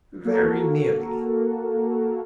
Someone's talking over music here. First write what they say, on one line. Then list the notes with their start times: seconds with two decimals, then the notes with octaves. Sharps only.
"Very nearly."
0.25 A#3 F#4 A4 A#4